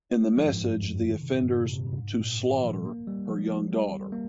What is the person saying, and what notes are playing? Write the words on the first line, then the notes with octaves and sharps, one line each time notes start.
In the message the offenders to "slaughter" her young daughter.
G#3
F3
G2
G#2
G2
F2
G2
D#3
C3
A#2
G2
A#2
C3
C3
C#3
G2
G#2
A#2
D#3
F3
G3
A#3
G3
F3
F3
G3
A#3